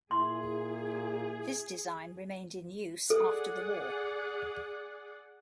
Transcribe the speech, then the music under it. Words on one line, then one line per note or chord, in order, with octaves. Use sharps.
This design remained in use after the war.
A#2 E4 G#4 E5 C6
G#4 A4 D5 F#5